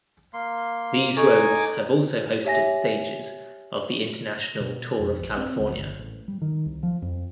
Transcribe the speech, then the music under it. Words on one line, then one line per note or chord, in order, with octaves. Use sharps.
These roads have also hosted stages of the international Tour of California.
A#3 C6
D#4 A4 G#5 C#6 D6
G4 C#5 E5 G#5 A#6
B2
F2
A#1
C4
C#2
G1
A1
G3
D#3
C2
F3
F2